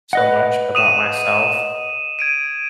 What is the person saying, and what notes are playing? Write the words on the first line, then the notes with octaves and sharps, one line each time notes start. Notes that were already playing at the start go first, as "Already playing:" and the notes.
so much about myself
B4 D#5 F#5
D#6 D#7 E7
G#6 D7 D#7